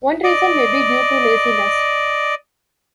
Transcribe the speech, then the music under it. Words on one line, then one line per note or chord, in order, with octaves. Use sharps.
One reason may be due to laziness.
D5 D#5